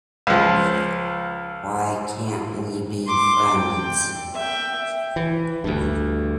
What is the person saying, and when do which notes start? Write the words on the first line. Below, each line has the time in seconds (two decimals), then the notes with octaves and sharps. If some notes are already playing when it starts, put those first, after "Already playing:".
Why Can't We Be Friends?
0.27 C#2 F3
3.07 C6 D6
3.58 G5
4.35 E5 G5
5.16 E3
5.64 D2 G2